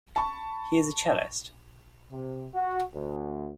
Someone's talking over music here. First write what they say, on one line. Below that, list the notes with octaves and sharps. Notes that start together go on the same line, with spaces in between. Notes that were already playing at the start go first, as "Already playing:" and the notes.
He is a cellist.
A5 B5 C#6
C3
F#4
D2